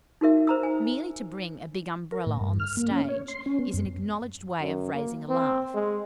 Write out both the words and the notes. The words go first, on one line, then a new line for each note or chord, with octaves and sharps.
Merely to bring a big Umbrella on the stage is an acknowledged way of raising a laugh.
D#4 F#4 A#4 E5
C5 A#5 E6
G#5
A#4
A2
G2
F6
A#3
C#4
C#5
C6
C#4
B3
F#2
F#2
A#3
C4
G#3